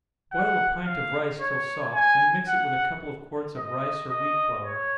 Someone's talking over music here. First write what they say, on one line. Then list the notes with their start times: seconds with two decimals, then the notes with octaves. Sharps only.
Boil a pint of rice till soft--then mix it with a couple of quarts of rice or wheat flour.
0.33 F#5
0.86 F5
1.41 C#5
1.94 G#5
2.48 F#5
3.56 D#5
4.11 D#5
4.65 C#5